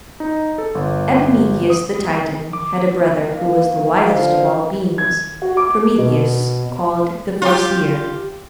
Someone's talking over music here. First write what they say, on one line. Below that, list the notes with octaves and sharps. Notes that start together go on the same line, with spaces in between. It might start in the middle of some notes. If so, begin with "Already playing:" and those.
Epimetheus the Titan had a brother who was the wisest of all Beings--Prometheus called the Foreseer.
D#4
A4
G1
D#6
D6
A#3
D3 F3 F5
G#6
F#4
D6
B2
F4 G4